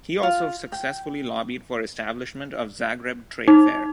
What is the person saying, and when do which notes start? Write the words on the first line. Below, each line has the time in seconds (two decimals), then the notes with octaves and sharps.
He also successfully lobbied for establishment of Zagreb trade fair.
0.23 F4
0.72 G5
3.48 D#4